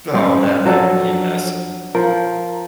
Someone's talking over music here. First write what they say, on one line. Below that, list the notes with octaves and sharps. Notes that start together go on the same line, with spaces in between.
Oh, that that would be a mess.
G3 C4 C#4
F3 F#3 D4 A4
F3 A#4